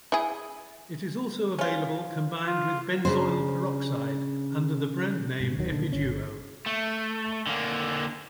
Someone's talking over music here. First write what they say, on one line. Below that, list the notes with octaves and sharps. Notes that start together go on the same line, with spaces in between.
It is also available combined with benzoyl peroxide under the brand name Epiduo.
E4 G#4
C#4 F4
F4
C#3 D4 C5
G#2 B2
D1 D#3 F#3
A#2 D3 D#3
G1 C#4
A3
D3 A#3